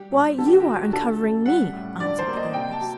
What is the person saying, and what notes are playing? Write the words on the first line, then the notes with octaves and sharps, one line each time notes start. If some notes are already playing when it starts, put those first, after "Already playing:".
"Why you are uncovering me!" answered the ogress.
Already playing: G3 G4
A#2
D3 A4
G4
F#4
G4
D#2
D3 A4
F#2
G3 F#5
A2
D3 D5
C5
A#3
D#5
C3 G5
A5
F#3